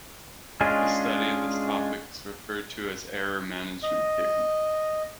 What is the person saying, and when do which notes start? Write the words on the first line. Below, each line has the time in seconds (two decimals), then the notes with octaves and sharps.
The study of this topic is referred to as "Error Management Theory".
0.61 G#3 C#4 D4 F4 G#4
3.83 D#5